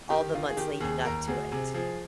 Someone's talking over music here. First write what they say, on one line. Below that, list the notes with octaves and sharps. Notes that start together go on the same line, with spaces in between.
all the months leading up to it.
D#3 G4
D#3 F4
G#4
D#3 G4
D#2 G#4
D#2 A#4
D2 G#4
C3 G#4
F3 G#4